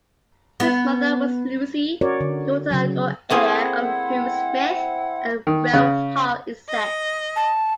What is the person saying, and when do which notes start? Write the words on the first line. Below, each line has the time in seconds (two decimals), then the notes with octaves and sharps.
His mother was Lucy, daughter and co-heir of Hugh Smith of Weald Hall, Essex.
0.60 B3
2.01 C#4 F#4 A#4 C#5 D5
2.20 D3
2.71 C#3 F#3
3.30 A3 A#3 C4 E4 G#4 C5 F#5
5.47 D#3
5.73 C#3
6.69 D#5
7.36 A5